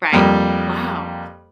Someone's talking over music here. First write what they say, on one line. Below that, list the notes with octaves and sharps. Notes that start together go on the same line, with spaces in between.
Right, wow.
F2 G3 A#3